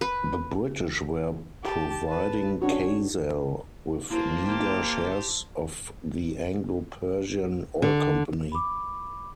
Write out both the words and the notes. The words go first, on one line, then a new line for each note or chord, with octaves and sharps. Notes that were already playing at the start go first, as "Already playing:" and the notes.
The British were providing Khaz'al with meager shares of the Anglo-Persian Oil Company.
B4
G4 A5
B4 A5
C#4 D4 F#4 C#5
A#3 E4 B4 C5 A5
A#3 G4
D3
B5 D6